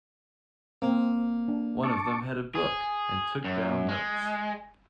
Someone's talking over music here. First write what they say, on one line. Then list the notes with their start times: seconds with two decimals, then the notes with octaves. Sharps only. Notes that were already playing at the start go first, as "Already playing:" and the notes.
One of them had a book, and took down notes.
0.82 A#3 C4
1.48 D4
1.83 A5 C#6 D6
2.55 G#4
3.44 F#2
3.89 G#3